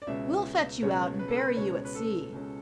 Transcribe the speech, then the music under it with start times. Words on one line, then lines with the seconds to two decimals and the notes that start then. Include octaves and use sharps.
"We'll fetch you out and bury you at sea."
0.02 D5
0.07 C#2 B2 G#3 C#4 E5
0.82 C#2 B2 G#3 C#4 C#5
1.19 B4
1.28 A4
1.36 B4
1.57 C#2 B2 G#3 C#4 C#5
1.85 B4
1.95 A4
2.32 C#2 B2 G#3 C#4